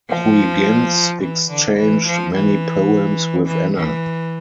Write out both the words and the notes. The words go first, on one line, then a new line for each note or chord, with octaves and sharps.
Huygens exchanged many poems with Anna.
F3
E3
D3
E3
F3
E3
E3
E3